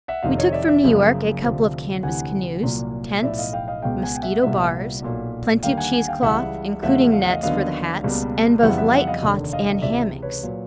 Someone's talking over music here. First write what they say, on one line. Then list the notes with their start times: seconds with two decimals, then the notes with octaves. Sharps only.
We took from New York a couple of canvas canoes, tents, mosquito-bars, plenty of cheesecloth, including nets for the hats, and both light cots and hammocks.
0.08 E5 F#5
0.23 F1 F2 C3 D#3 D#5 F5
0.38 C#5 D#5
0.53 D5 E5
0.68 D5 E5
0.83 F#1 F#2 C#3 F3 A#3
1.43 D2 C3 F3
2.03 D2 C3 E3 F#5 G#5
2.63 C2 A#2 F#3 A#3
3.22 B1 A2 F3 D5 E5
3.38 D#5 F5
3.53 F5 G5
3.68 D#5 F5
3.82 C#2 B2 G#3 B3 F5 G5
4.03 F#5 G#5
4.15 G5
4.23 E5 F#5
4.43 C2 A#2 G3 B3 E5 F#5
5.02 B1 A#2 F#3
5.63 D#2 D3 G3 A#3 F5 G5
5.77 F#5 G#5
5.92 F#5 G#5
6.08 F5 G5
6.23 C#2 C#3 E3 G3 E5 F#5
6.83 E2 C#3 F3 A3 E5 F#5
7.12 F5
7.22 F#5
7.29 D#5 F5
7.43 D#2 D3 F#3 B3 D#5 F5
8.03 C#2 B2 G3 A#3
8.63 F2 C#3 E3 G3 B3 E5 F#5
8.77 E5 F#5
8.92 E5 F#5
9.07 D#5 F5
9.22 F1 D#2 D3
9.53 D#5 F5
9.82 C#2 C3 E3 D5 E5
10.22 B4 C#5
10.43 A#2 F#3